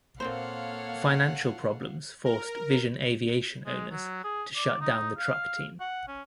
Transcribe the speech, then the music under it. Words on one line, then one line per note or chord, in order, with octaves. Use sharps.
Financial problems forced Vision Aviation owners to shut down the Truck team.
A#2 A#3 C4 A4 C5 C#5 F5 F#5
A#4
G#3
F#3
G#4
D5
D#4
F5
F#5
C#4